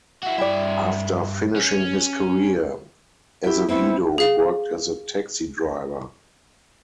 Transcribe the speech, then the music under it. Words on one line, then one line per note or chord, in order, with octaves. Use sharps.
After finishing his career, Azevedo worked as a taxi driver.
E4 F#4
G2 E4 G4 D5 E5
C#4
E4 G4 E5
A3 B3 C4 E4
G#4 F5